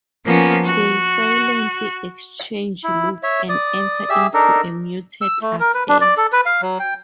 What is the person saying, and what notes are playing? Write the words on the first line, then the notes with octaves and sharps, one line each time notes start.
They silently exchange looks and enter into a muted affair.
F3 A#3 B3 C#4
F#4
E4
C#5 E5
D5 D#6
G4 G#4 E5 E6
D4 D#4 A4 A#4
E6
A3
A#4
B4
D4
D5
A4
B4
F5
F#3
G5